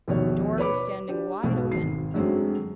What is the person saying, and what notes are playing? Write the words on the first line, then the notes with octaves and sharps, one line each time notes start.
The door was standing wide open.
A#1 D#2 B2 D#3 C#5
B4 C#5 B5 D6
D4 G4
B1 G#2 B2
G#1 D#3 C7
F#2 D3 F#3 G#3 C4